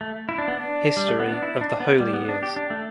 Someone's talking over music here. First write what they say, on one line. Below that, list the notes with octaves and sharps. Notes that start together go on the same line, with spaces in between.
History of the Holy Years.
A3
E4
D4
B3
D4
G3
A3
B3
D4
E4
D4
B3
G3
B3
D4
G4
D4
A3